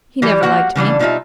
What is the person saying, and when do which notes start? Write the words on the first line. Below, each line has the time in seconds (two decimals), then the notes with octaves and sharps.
He never liked me.
0.22 E3 G3 G4
0.43 F3 A#3 F#4 F#5
0.75 C#3 E3 G3 D4
0.99 B2 F3 D#4 F4 E5